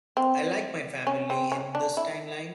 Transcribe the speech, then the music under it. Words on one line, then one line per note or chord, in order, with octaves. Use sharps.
I like my family in this timeline.
C4
C#4
C4
C#4
D4
E4